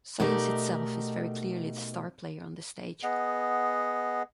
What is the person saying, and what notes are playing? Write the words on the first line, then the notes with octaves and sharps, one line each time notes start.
Science itself is very clearly the star player on this stage.
B2 A3 D#4 G4 A#4 D5
B3 G#4 D#5 F#5